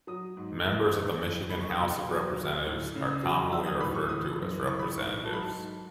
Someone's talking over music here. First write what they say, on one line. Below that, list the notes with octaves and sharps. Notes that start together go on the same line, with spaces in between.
Members of the Michigan House of Representatives are commonly referred to as representatives.
F#3 D#6
G#2
E3
A2
E3
F#2 B5
C#6
D#6
B2 E6
F#3
F#3
A2
C#3
F#3
F#3 E6
D#6
A2 B5
C#6
E3 D#6
F#2
E3 C#6
B5
G#2 C#6
F#3 A5
B5
A5
G#2